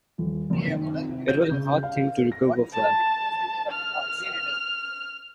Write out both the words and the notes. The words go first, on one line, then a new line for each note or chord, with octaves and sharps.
It was a hard thing to recover from.
D#1
F#1
D#3
C4
C3
G6
C#3
F5
A#6
A5
F6